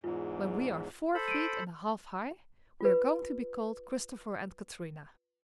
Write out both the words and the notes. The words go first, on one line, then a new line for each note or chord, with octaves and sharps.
"When we are four feet and a half high, we are going to be called Christopher and Katrina."
E2 G#2 F4
A4 C5 B5
D7 D#7
F4 B4